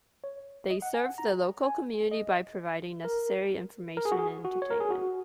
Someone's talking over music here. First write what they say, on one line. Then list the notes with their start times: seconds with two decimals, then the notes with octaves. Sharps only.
They serve the local community by providing necessary information and entertainment.
0.24 C#5
0.70 D#5
0.82 F#5
0.94 G#5
1.06 F#5
1.18 A#5
1.64 G#5
2.11 D#5
3.05 A#4
3.97 A#4
4.05 G#4
4.12 F#4
4.19 G#4
4.45 F#4
4.62 C#5
4.70 A#4
4.80 G#4
4.90 F#4